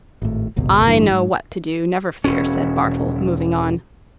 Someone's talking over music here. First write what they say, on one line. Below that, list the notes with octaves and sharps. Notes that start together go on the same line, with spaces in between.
"I know what to do, never fear," said Bartle, moving on.
G#1 A2
D#1 G#1 C#2 B2
A1 G2 D3 E3
G#2
E1 C#4